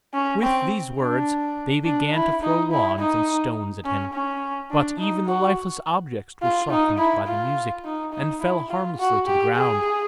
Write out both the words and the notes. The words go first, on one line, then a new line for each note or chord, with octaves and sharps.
With these words they began to throw wands and stones at him, but even the lifeless objects were softened by the music, and fell harmlessly to the ground.
C#4
C4
D4
D4
E4
D#4
E4
D#4
C#4
C#4
D4
D#4
F#4
F4
D#4
E4
F4
D#4
D#4
E4
F4
F#4
G4
G#4